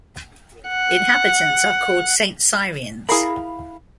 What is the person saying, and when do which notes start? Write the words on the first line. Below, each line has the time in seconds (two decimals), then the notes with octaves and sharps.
Inhabitants are called "Saint-Cyriens".
0.69 F#5
3.09 E4 G#4 A#4 F5 B5